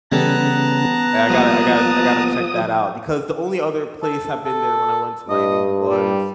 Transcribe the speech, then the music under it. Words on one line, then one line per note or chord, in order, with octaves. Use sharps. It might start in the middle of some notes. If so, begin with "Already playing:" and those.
Hey, I gotta I gotta I gotta check that out because the only other place I've been there, when I went to Miami, was
C#3 E3 G3 B3 A4 A5 A#5 F#6
C2 F3 A#3 D#6
A4
A4
G2 D#5
G3